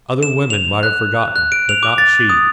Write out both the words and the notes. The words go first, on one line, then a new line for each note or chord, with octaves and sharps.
Other women might have forgotten, but not she.
E7
F7
F#6
F#6
D7
F7
D6
A6
D#6